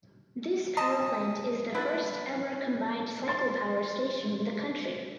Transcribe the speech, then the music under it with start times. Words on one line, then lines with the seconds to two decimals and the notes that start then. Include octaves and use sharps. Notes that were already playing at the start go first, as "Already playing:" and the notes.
This Power Plant is the first ever combined cycle power station in the country.
0.77 D#5 A5
1.75 D3 E4 B4 F#6 A6
3.28 C6 A6